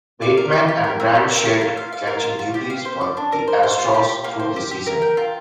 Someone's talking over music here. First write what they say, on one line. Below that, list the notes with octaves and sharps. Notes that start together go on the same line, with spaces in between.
Bateman and Brand shared catching duties for the Astros through the season.
D5
A#4
D5
G4
A#4
C4
G4
A#4
G4
F4
F5
F5
A#4
F4
F4
G4
F5
C5
D5
D4
A#4
C5
C5
F4
G4
G4
A#3
C5
G4
G4
A#4
G5
F4